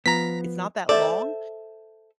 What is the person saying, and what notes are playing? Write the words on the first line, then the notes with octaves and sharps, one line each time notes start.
it's not that long,
F3 B3 A#5 B6
A4 C5 D5 E5